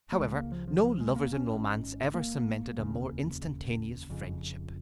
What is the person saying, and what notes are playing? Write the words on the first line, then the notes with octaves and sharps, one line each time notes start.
However, no lovers in romance ever cemented a more instantaneous friendship.
A#3
C#2 C#3 G#3
A#3
F3
F3
F3
G#3
A#3
C#4
G#1 G#2
A#3
F1 D#2 C#3
F1 F2 C#3